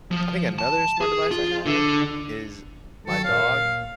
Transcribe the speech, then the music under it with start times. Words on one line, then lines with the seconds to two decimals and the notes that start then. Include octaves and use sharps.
I think another smart device I have is my dog.
0.11 F3
0.59 A5
1.01 G#4
1.31 F4
1.66 D3
3.07 D#3 F#3 A4
3.24 A#2 C#5 F5